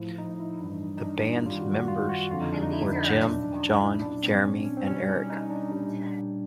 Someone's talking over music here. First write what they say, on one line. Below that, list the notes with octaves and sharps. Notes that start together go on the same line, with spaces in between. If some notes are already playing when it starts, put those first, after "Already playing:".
The band's members were Jim, John, Jeremy, and Eric.
Already playing: A2 F3 E4
D#4
E4
G2 E3 G3 D4
D#4
D#4
D4
E4
F#2 D#3 G3 F4
F#4
F#4
F4
F#4
F2 D3 F3 F4
D#4
D4
D#4
E4
D#4
E2 B2 F#3 D4
C#4
D4
D#4
E4
A#2 F#3 D4
C4
C#4
C#4
C4
B2 G3 C#4
D#4
D#4
D4
A#2 G3